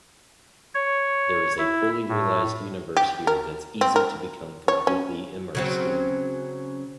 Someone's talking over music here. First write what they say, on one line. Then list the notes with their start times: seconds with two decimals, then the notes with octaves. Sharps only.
There is a fully realized universe here that's easy to become completely immersed in.
0.75 C#5
1.58 E4
2.09 A2
2.97 G4
3.27 A#4
3.81 C4
3.96 A#4
4.68 C#5
4.87 C#4
5.55 C#3 F#3 C4